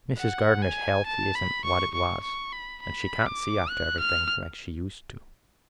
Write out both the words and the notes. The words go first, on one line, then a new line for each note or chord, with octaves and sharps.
Mrs. Gardener's health is n't what it was, and she can't see after everything like she used to.
F#5
G#5
A5
B5
C#6
C#6
C#6
B5
B5
D6
F#6
F6